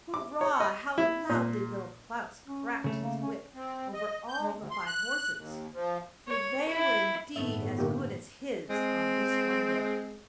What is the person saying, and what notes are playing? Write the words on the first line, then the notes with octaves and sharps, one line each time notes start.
Hurrah! how loudly Little Klaus cracked his whip over all the five horses! for they were indeed as good as his on this one day.
D6
C#5
D#5
E4
A#2
C#4
C#3 F#3 A3
A#3
C#4
C4
D#5
G6
G#3
D2
C6
F#6
D#2
F3
C#5
E4
G1 A2 D#3 A3 B3 E5
D3 A#3 G4
G#3 C4